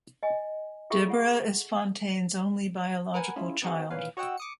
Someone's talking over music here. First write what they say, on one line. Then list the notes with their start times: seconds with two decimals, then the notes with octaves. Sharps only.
Deborah is Fontaine's only biological child.
0.23 D#5 G#5
0.90 F4 G#4 A4 E5 G5 C#6
1.08 F4 F#5
3.14 A#4 B4 F#5 G#5
3.36 G#3 C#4 E4 F4
3.62 B3 C4 D#4 F#4 G#4
3.90 A#2 D#3 E3 C#4 B4 F5
4.17 F#4 C#5 D#5 F#5 G5 E6
4.37 D6 D#6 C#7